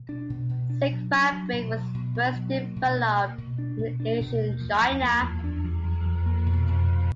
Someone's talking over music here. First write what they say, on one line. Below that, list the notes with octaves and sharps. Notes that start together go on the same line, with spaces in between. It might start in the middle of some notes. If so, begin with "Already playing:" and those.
Silk fabric was first developed in ancient China.
Already playing: B2
D4
B2
B2
D4
F#3
D4
F#3
B2
F#3
B2
B2
F#3
A#3
B2
A#3
A#3
B2
D4
B2
D4
B2
A#3
F3
F3
A#3
F3
D4
F3
F3
F3
A#3
B2
B2
B2